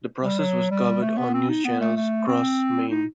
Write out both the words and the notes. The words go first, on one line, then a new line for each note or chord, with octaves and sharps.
The process was covered on news channels across Maine.
G3
F#3
G3
A3
B3
C4
D#4
B3
A3
A3
C4
D#4